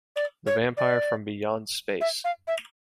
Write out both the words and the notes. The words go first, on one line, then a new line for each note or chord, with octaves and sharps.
The Vampire from Beyond Space.
D5
C#5
D5
E5
F5
E5